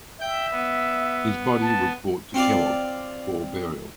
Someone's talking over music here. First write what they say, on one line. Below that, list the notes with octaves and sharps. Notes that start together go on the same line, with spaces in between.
His body was brought to Kellog for burial.
E5 G5 G6
B3
A5
C4 F4 D5